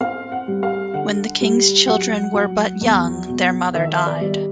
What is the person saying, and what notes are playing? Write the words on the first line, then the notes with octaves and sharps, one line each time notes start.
When the king's children were but young their mother died.
C4 F5
F#5
G3
F5
D3 F#5
G3
F#3 F#5
F#3
E2
B2
D#3 E5
D5
G3